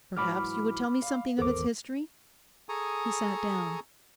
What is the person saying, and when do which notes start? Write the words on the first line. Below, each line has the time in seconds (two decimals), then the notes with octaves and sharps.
Perhaps you would tell me something of its history?' He sat down.
0.17 G#2 E3 F#3 B5 D6 F6
1.02 F5
1.38 G#1 E2 A4 A#4 C5 D6
2.69 G#4 A4 G#5 A#5 C#6 D#6